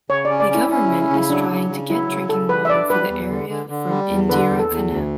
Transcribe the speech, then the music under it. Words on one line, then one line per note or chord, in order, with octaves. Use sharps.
The Government is trying to get drinking water for the area from Indira Canal.
C#3 C#5
C#4 D5
D5
C#4 E4
C#4 E4
C#3 E4
E4
C#3
E4
F#3 D4
C#3
C#3
F#3 E4
C#3
C#3 A4
G3 B4
E5
D4 D5
G3 B4
E2
D3
D3
D3
G3
E2
D3 B4
E2
A4
E2
D2